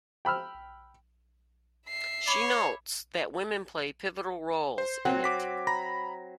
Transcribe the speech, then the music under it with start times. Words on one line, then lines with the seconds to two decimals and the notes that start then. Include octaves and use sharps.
She notes that women play pivotal roles in it.
0.25 G5 B5 E6 F6
1.88 E5 C7
2.28 C#5 B5 D6 G7
4.78 C5
5.05 F#3 C4 F#5
5.24 D6 B6
5.67 A#5 B5 A#6